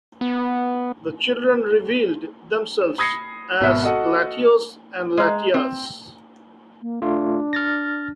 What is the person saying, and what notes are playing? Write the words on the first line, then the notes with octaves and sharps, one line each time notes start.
The children revealed themselves as Latios and Latias.
B3
E7
B5 D#6 G#6 A#6 C7 C#7
G#1 B2 B3 E5 F6
F#4 A4 D#5 F#5
G#3 A#5
C4
A#3
A3 D4 F4
F6 A6 A#6